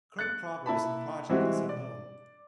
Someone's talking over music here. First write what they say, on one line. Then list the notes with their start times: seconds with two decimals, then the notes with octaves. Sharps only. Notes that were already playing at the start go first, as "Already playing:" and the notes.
Current progress on the project is unknown.
0.19 F#6 A6 C#7
0.66 A#3 E4 A5 B5
1.29 E3 G3 G#3 C4 E4 F#4
1.69 D5